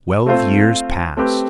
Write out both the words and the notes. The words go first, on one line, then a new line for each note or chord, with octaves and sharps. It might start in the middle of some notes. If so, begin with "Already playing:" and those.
Twelve years passed.
A3 C4 F4 C5
A3 C4 G4 B4